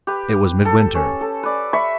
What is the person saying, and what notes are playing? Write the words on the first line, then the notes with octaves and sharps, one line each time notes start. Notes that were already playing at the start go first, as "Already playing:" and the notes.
It was midwinter.
G4 B4
A4
C#4
A4
B4 D5
E5 B5 C#6